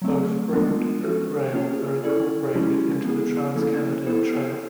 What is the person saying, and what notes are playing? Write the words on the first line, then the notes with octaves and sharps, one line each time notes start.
Both road and trail are incorporated into the Trans-Canada Trail.
F#3 A3 C4
F3 G#3 B3 D4 F4
C#4 F#4 A4
A#3 C#4 F4 G#4 C#5
C#4 E4 A4 D5
F3 G#3 C#4 E4 G4
B3 E4 G#4
F3 A#3 C#4 E4 A4
B3 E4 A4 C5